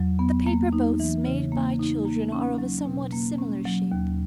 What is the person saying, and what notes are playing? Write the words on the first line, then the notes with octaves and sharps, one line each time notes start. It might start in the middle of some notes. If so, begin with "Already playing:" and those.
The paper boats made by children are of a somewhat similar shape.
Already playing: E2 F#3
B3
A#3
D#4
E3
C#3
A#3
D#4
A#3
C#4
F#3
B2
A#3
C#4
F#3
D#2